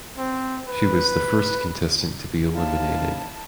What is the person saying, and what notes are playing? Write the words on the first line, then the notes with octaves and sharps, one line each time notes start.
She was the first contestant to be eliminated.
C4
B4
D#2 E4 F5 A5